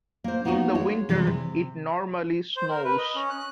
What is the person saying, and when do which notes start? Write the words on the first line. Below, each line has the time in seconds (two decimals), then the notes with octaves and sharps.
In the winter it normally snows.
0.24 A#3 C5
0.45 A#3 B3 D#4 F4 F#4
0.75 G#3 C#5
1.09 C3 E3 G3 G#3
1.27 C3
2.57 C5
2.70 A#4
2.84 B4
2.98 D#5
3.15 C#4
3.30 F#6